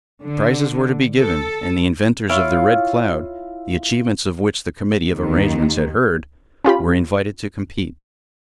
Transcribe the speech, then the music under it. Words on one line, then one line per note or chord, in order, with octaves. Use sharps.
Prizes were to be given, and the inventors of the Red Cloud, the achievements of which the committee of arrangements had heard, were invited to compete.
D3
A4
E4 F4 C#5 F5
D#2 D#3
C#4 F4 G4 B5